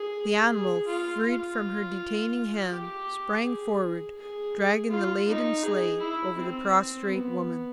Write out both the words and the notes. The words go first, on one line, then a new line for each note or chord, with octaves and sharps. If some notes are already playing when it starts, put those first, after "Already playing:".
The animal, freed from her detaining hand, sprang forward, dragging the laden sleigh over the prostrate woman.
Already playing: G#4
G#4
F4
F4
G4
G#4
G#4
F4
D#4
G#4
E4
C4
B3